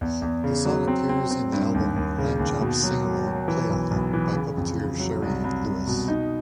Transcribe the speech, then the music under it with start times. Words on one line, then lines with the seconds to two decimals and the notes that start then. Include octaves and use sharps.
The song appears in the album "Lamb Chop's Sing-Along, Play-Along" by puppeteer Shari Lewis.
0.01 E2
0.22 E2
0.44 C#3
0.65 F#3
0.88 C4
1.09 C4
1.31 C4
1.52 G2
1.74 D#2
1.96 D#2
2.18 C#3
2.39 D#2
2.61 B2
2.83 F#3
3.05 F#3
3.27 F#3
3.48 E3
3.69 B1
3.91 B1
4.13 E3
4.35 C#3
4.57 F2
4.78 C#3
4.99 F#3
5.22 C2
5.44 C2
5.66 C2
5.87 B2
6.08 D#4